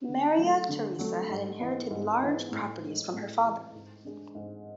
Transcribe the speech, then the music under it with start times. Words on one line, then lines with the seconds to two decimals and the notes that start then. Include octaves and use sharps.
Maria Theresa had inherited large properties from her father.
0.08 D3
0.38 F#3
0.43 A3
0.69 D3
0.99 F#3 A3
1.29 G#2
1.60 E3 B3
1.91 G#2
2.22 E3 B3
2.51 A2
2.82 E3
2.87 G#3
3.13 A2
3.44 E3 G#3
3.75 G#2
4.05 G#3 D4
4.35 G#2